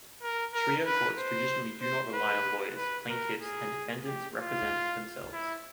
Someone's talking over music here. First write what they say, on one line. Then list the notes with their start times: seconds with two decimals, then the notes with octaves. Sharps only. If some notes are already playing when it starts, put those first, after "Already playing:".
Sharia courts traditionally do not rely on lawyers; plaintiffs and defendants represent themselves.
0.23 A#4
0.54 A#4
0.86 B4
1.18 C5
1.81 C5
2.14 B4
2.77 B4
3.10 A#4
3.41 G#4
4.05 G4
4.37 F4
5.33 E4